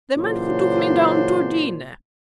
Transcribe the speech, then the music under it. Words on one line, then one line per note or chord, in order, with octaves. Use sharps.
The man who took me down to dinner!
A#2 C#3 E3 F#3 D4 C5